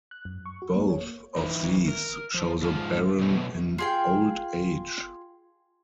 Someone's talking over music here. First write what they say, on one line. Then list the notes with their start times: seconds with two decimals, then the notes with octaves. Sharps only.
Both of these show the baron in old age.
0.11 F#6
0.25 F#2
0.46 C#6
0.62 F#4
0.75 A#3
0.90 C#5
1.36 E3 D#4
1.88 A#4
2.34 F3
2.62 G#2 F4 G#4 G#5 A5
3.19 F#2 B2 A3 C#4
3.78 F4 G#4 G5